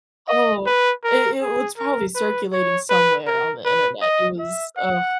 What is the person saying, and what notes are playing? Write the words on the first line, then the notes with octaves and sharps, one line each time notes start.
Oh, i it well, it's probably circulating somewhere on the internet, it was, ugh,
D#5
B4
A#4
G#4
A#4
B4
C#5
B4
A#4
B4
D#5
E5
F#5